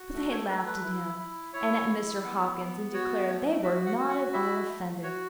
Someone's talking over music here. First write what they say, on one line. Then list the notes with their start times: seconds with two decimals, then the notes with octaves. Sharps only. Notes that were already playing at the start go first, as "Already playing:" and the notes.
But they laughed at him and at Mr. Hopkins, and declared they were not at all offended.
Already playing: F#4
0.14 A3
0.31 C#5
0.49 A3 B4
0.66 B4
0.84 E4
1.19 E4
1.53 E4 C#5
1.89 E4
2.24 B3
2.58 B3
2.93 F#4 C#5
3.28 A3 C#5
3.62 F#4 E5
3.86 F#5
3.98 F#4
4.09 F#5
4.33 E4 E5
4.68 A3
5.03 F#4 C#5